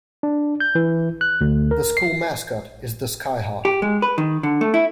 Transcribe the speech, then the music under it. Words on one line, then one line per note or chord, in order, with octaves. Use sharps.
The school mascot is the Skyhawk.
D4
G6
E3
F#6
D2
A#4
C7
G4
G#3
B4
D#3
D3
A3
E4